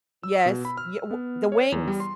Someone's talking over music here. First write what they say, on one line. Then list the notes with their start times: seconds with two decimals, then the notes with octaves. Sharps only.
Yes. Ye w the wings.
0.23 E6
0.46 B2
0.65 B5
0.77 F6
1.11 B3
1.52 C#5
1.72 E2
1.88 G3
2.00 C6